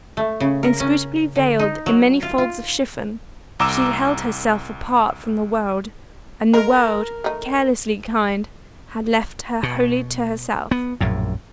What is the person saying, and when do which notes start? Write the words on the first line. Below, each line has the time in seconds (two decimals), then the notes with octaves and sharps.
Inscrutably veiled in many folds of chiffon, she held herself apart from the world, and the world, carelessly kind, had left her wholly to herself.
0.17 A3
0.40 C#3
0.63 A#4
0.80 C#4
1.35 D3
1.59 D#4
1.86 F#3
2.22 F4
2.38 F4
3.60 C2 A#5 D6 E6 E7
6.53 G#3 A#4
7.24 A3 D#4
9.63 B2
10.71 B3
11.00 A#1 F#2 A2